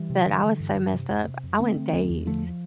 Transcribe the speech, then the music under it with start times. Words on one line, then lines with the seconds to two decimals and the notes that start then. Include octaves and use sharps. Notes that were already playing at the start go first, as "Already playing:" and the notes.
that I was so messed up, I went days,
Already playing: E3 G3
0.10 C3
0.27 D3
0.43 D3
0.60 G2
0.77 G2
0.93 C3
1.10 F2
1.27 C3
1.44 F2
1.60 D3 A3 C4
1.77 D3
1.93 E2
2.10 E2
2.26 D3 F3 A3